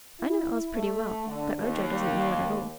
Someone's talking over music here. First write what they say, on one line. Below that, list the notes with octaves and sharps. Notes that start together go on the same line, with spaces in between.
I know Oz pretty well, but Ojo doesn't know it at all.
E4
A3
D3
D#2